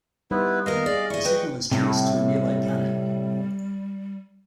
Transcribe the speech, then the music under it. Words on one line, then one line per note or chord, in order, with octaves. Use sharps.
The signal is traced to a nearby planet.
G3 B3 D#4 E4 B4 C5
D#2 B3 A#4 D#5 F5
G#4 D5
E4 D#5 C#6
B4 D#5 G5
A2 C3 G3